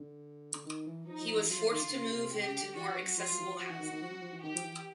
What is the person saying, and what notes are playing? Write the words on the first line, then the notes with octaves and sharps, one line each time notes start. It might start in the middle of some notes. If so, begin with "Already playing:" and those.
He was forced to move in to more accessible housing.
Already playing: D3
D3
D#3
E3
F3 D#4
F3
E3
F#3 F4
F3
D#3
D3
C#3
C3
C3 G4
C#3
D3
E3 F#4
F3
F#3
F3 F4
F#3
E3
F3
F3 F#4
E3
D#3
D#3
F3
F#3
F3
E3
D#3 G4
F3
E3